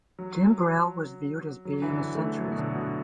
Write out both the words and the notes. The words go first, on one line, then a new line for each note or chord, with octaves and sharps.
Timbrell was viewed as being a centrist.
F#3
F#3
E3
D3
A3
F#3
B2
D3
B2